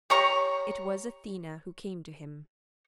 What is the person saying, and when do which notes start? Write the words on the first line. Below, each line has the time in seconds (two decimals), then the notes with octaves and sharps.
It was Athena who came to him.
0.10 G4 C#5 A#5 C#6